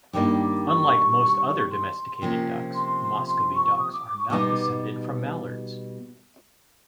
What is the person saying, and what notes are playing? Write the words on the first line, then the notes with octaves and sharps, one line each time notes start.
Unlike most other domesticated ducks, Muscovy ducks are not descended from mallards.
G2 D#3 G3 A#3 D#4 D6
C#6
C6
C3 F3 A#3 C#4
C6
C6
C#6
D#6
D6
D6
C#6
B2 G3 B3 D#4 D6